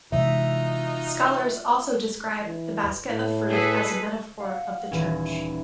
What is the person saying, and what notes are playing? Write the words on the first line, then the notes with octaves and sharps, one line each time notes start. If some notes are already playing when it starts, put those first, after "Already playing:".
Scholars also describe the basket of fruit as a metaphor of the Church.
C3 E3 G#3 D#4 F4 F#4 E5
E3
A2
G#4 A4 B4
F5 F#5
D#1 E3 C#4 G#6